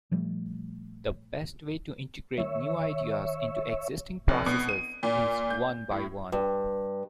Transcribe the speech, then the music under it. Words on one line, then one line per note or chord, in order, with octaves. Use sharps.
The best way to integrate new ideas into existing processes is one-by-one.
A#2 F3 G3 A3
D3 D#3 C#5 E5
F1
B2
D#7
A#2
G6
A2
G2